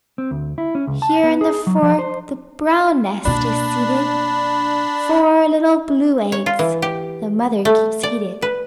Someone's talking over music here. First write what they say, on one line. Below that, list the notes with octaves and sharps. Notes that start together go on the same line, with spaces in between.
Here in the fork The brown nest is seated; Four little blue eggs The mother keeps heated.
C4
D2
E4
C#4
C#2
A5
B3
G#4
F#3
F3
C5
B2 A#3 D4 B5
C#5
F4
E3
G4
A3
D5
B4